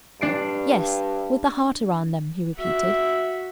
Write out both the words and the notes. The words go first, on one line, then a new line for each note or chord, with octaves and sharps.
"Yes, with a heart around them," he repeated.
G2 D4 C7 D7
F#4 E5